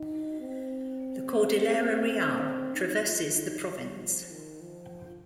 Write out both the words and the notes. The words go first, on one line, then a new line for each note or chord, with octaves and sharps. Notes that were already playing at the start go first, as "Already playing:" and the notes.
The Cordillera Real traverses the province.
Already playing: D#4
C4
D#4
F4
D#4
G3
F3
D#3
F3